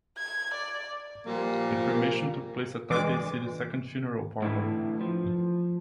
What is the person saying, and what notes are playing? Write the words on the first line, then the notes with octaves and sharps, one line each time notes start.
The cremation took place at Taipei City Second Funeral Parlor.
G#6
D5
A#2 F3 G3 A#3
D3 E3 G#3 D6
A2 D3 E3
F3